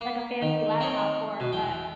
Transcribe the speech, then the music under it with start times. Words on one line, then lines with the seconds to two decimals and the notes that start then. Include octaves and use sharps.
like, a fancy laptop for, but.
0.01 A#3
0.42 D#3
0.80 C4 C#5 D#5
1.40 B2
1.52 E2 G5